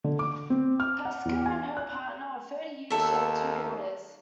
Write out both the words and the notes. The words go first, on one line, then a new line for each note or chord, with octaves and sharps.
Pascoe and her partner of thirty years shared two daughters.
D3
D6
C4
F6
F#5
E2
G#5
F#6
D#2 A4 E5